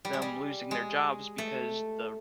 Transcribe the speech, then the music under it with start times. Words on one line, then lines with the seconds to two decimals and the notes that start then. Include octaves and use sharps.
them losing their jobs because the
0.05 G3
0.13 G#3
0.22 G3
0.71 G#3
1.38 A3